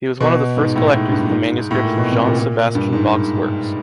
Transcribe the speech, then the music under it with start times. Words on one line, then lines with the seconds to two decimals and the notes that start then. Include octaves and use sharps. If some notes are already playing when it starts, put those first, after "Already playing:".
He was one of the first collectors of the manuscripts of Jean-Sébastien Bach’s works.
0.20 B2
0.57 G#2
0.76 A2
0.93 G#2
1.12 G2
1.30 G#2
1.57 G#2
1.71 A2
1.83 A#2
1.97 B2
2.11 C3
2.25 A#2
2.38 A#2
2.75 G2
2.93 G#2